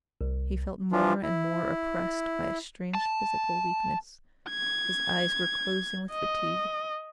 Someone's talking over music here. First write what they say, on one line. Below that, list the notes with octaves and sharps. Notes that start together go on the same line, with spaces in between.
He felt more and more oppressed by a strange physical weakness. His eyes were closing with fatigue.
C2
E3 F3 D4 F4
E4
A5
G#6
D#5